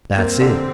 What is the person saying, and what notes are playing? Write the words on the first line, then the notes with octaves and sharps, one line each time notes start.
Dat's it.
A#3 C4
D3